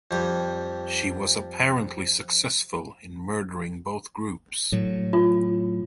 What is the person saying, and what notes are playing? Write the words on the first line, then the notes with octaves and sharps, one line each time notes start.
She was apparently successful in murdering both groups.
F2 G3
A2 F#3
F4